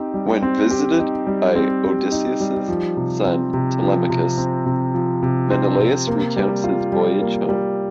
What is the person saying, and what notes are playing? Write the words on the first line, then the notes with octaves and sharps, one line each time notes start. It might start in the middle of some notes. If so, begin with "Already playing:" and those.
When visited by Odysseus' son Telemachus, Menelaus recounts his voyage home.
Already playing: C4 D#4 G4
G3
C4
G4
D#4
G3
C4
G4
D#4
G3
F3
C3
C4
C3
F3
C3
C4
C3
F3
C3
C4
C3
A#3
G3
F4
G3
A#3
G3